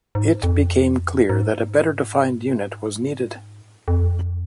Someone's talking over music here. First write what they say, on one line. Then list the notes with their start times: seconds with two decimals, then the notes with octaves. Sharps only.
It became clear that a better-defined unit was needed.
0.15 G#2
0.43 F2
1.30 G#2
3.88 F2